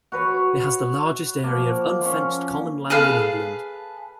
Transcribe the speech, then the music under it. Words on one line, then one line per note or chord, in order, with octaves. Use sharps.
It has the largest area of unfenced common land in England.
F#4 B4 C#5
F3 A#3
C#4 F4
G#4 A4 B4 F5